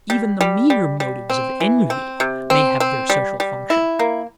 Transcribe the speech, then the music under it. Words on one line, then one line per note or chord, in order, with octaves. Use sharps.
Even the meaner motives of envy may have their social function.
G3
G3
G3
G3
C4
E3
C4
C3
C4
C4
G3
G3
E4
A#3